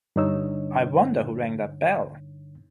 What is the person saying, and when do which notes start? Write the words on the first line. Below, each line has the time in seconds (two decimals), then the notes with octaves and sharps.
I wonder who rang that bell!
0.16 G2 D3 D4 D#4 C#5 E6